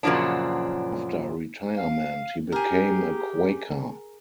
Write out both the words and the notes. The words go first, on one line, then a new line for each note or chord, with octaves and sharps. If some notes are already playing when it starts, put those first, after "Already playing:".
After retirement he became a Quaker.
F#2 A#2 C#3 F3 F#3 D4
F5
G4 G#4 A#4